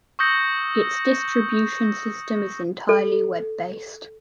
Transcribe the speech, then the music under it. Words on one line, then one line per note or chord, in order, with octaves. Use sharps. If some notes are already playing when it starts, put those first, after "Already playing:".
Its distribution system is entirely web-based.
C#6 D#6 E6 G6 A#6 C#7
A4